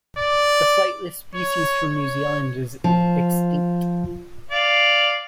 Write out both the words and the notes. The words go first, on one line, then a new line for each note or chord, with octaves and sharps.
A flightless species from New Zealand is extinct.
D5
C#5
C#5
F3
D5 F5